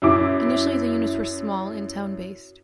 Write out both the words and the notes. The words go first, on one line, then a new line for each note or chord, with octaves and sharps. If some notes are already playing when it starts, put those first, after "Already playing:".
Initially the units were small and town-based.
F#2 E4 D6